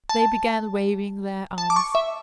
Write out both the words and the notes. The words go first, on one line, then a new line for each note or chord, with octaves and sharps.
They began waving their arms.
A5
A5
D6
C#6
E5